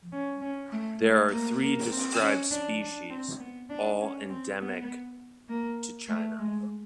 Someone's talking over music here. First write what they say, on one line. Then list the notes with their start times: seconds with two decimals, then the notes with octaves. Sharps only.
There are three described species, all endemic to China.
0.12 C#4
0.42 C#4
0.72 A3
1.01 A3
1.32 A#3
1.61 A#3
1.92 C4
2.20 C#4
2.51 D4
2.81 D4
3.10 C4
3.40 B3
3.69 D4
4.00 C#4
4.30 C4
4.59 B3
5.48 A#3
6.08 A3
6.39 G#3